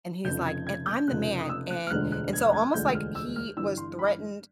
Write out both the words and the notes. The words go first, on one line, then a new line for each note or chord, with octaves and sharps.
And he's, like, "And I'm the man," and and so almost like he was threatened
F1 F2 C#3 G6
G#6
G#6
G6
F1 F2 C#3 F#6
D#6
E6
F#6
F6
E1 D2 D3 F3 G#3 F#6
F#6
G#6
G#6
E1 D2 D3 F3 G#3 G6
F6
E6
F6
G1 G2 E3 E6
C6
B5